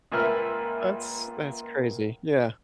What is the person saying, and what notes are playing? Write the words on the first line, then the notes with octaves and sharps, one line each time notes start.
That's that's crazy, yeah.
C#2 A#2 A#3 B4 E5 F6